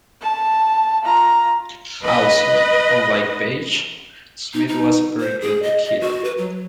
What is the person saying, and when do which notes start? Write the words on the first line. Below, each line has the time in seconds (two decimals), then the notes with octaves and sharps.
Also, unlike Paige, Smith was a very good hitter.
0.21 A5
1.03 F4 A#5
2.03 B4 D#5
4.54 D#4
4.68 D#4
5.20 C5
5.41 G#4
5.63 D#5
5.84 D#5
6.01 F#4
6.24 B4
6.38 F#3